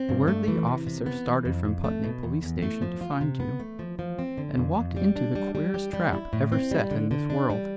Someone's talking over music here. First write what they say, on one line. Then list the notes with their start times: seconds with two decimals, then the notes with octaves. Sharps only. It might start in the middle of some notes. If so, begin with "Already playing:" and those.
The worthy officer started from Putney police station to find you, and walked into the queerest trap ever set in this world.
Already playing: C4
0.09 G2
0.28 A3
0.48 E3
0.67 C3
0.87 C3
1.06 B3
1.26 E3
1.45 F2
1.65 F2
1.84 A3
2.04 B2
2.23 E2
2.43 E2
2.62 A3
2.82 F3
3.01 F4
3.21 C3
3.40 B3
3.60 A3
3.79 F3
3.99 F3
4.19 C4
4.38 D3
4.57 F2
4.77 F2
4.96 G3
5.16 D4
5.35 G3
5.55 G3
5.74 G4
5.93 G3
6.13 E4
6.33 A2
6.52 C4
6.71 G3
6.91 D3
7.11 D3
7.30 D4
7.50 G3